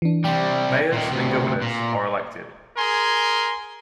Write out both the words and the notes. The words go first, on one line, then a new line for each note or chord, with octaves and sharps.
Mayors and governors are elected.
E3 D4
C3 G3 G5
A#2 D#3
D2 C3
A#2
G#4 A#4 G#5 C6